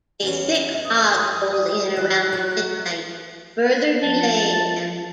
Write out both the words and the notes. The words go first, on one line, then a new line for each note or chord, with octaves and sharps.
A thick fog rolled in around midnight, further delaying them.
E2 C#4
F2 D#6
E3 F#6
F#3
F3 A5